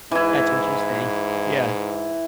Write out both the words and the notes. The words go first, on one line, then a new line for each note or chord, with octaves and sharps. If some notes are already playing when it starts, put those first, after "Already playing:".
That's interesting. Yeah.
G#2 E3 E4